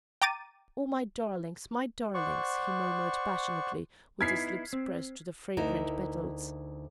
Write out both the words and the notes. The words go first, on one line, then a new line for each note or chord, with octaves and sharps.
"Oh, my darlings, my darlings!" he murmured passionately, with his lips pressed to the fragrant petals.
G5 A#5 D6 A6 D#7
C5 D5 F#5 C#6
B3 D#4 E4 G#6 B6 C7
C4
D2 D#4 E4 A#4